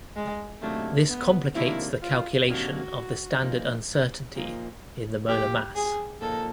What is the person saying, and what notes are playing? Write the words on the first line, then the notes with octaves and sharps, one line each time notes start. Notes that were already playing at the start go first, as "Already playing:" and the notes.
This complicates the calculation of the standard uncertainty in the molar mass.
G#3
C3 D#3 F#3 A3 A#3 D4
B3
C3 D#3 F#3 A#3 D4 E4
F4
C3 D#3 F#3 A#3 D4 F#4
A#2 F3 A#3 D#4
A#2 F3 A#3 D#4
A#2 F3 A#3 D#4 G4
G#4
A#2 F3 A#3 D#4 A4